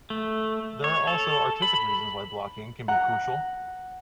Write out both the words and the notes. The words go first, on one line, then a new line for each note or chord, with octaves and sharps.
There are also artistic reasons why blocking can be crucial.
A3
C#5
A4
B5
F#5 A#5 F#6